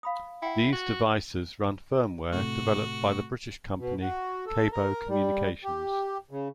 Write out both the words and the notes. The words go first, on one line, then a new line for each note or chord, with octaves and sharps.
These devices run firmware developed by the British company Cabot Communications.
F5 B5 D#6
E4 F#5 G5
F#4
A2 C3 A3 F#4
B2
F#4
A4
A#4
G3
G4
C#3